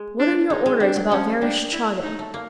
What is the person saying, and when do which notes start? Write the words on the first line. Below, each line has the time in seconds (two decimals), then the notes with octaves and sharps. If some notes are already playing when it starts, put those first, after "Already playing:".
What are your orders about Vereshchagin?
Already playing: G#3
0.19 D4
0.50 G#3 D#4
0.66 G#3
0.80 G3 D4
0.96 F#3
1.11 F3 C#4
1.42 G3 D4
1.72 E4
2.03 D#4
2.19 A3
2.34 A#3